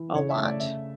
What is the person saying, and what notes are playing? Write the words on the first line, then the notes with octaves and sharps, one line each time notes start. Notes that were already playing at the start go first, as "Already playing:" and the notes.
a lot.
Already playing: E3
C#3 C#5
E5
A3
D5
C#3 E5